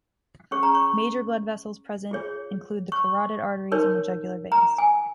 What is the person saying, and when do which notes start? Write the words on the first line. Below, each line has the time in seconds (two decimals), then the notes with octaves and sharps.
Major blood vessels present include the carotid arteries and the jugular veins.
0.51 C#4 G#4 C#5 C#6
0.63 A#5
0.75 C#6
2.11 F4 G#4 C#5
2.92 C#6
3.72 D#4 A#4 C#5
4.52 A#5
4.78 G#5